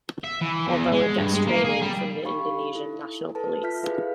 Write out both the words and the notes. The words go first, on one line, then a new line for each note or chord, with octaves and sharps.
Although it gets training from the Indonesian National Police.
E5
E3
E2
G#3
G2
G#3
A#3
G#4
G3
D#4 G4 F5 B5 C#6
E4 A4
A4 B4 A5
F4 A4 E5 F6 G6 B6
E4 F#4 G#4 B4 F5